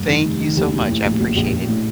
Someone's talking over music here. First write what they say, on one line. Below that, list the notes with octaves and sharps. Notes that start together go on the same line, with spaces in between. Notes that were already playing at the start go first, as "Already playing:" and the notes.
Thank you so much, I appreciate it.
Already playing: F1 G2
D#3
F1
D#3
D#2
F1
A2
A#1
A#1
A#1
A#1
A2